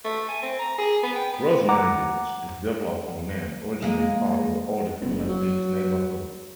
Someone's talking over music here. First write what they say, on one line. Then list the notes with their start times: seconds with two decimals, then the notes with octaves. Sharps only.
Rosemary Beach is developed on land originally part of the older Inlet Beach neighborhood.
0.05 A3
0.29 G#5
0.42 C4
0.59 A#5
0.78 G#4
1.03 B3
1.16 G5
1.33 B3
1.69 F#5 A#5 D6
3.82 G#3 A#3
5.01 F#1
5.29 F#3